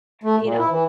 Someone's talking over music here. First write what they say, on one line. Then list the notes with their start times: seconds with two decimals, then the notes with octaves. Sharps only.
you know,
0.23 A3
0.42 A#2
0.58 E4
0.71 E3